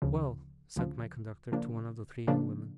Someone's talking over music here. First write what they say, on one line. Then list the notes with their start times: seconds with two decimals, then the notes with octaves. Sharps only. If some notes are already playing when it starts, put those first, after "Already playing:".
'Well,' said my conductor to one of the three young women.
0.02 D2 C#3 F3
0.76 D2 C#3 F3
1.52 C#3 F3 A#3 D4
2.27 C#3 F3 A#3 D4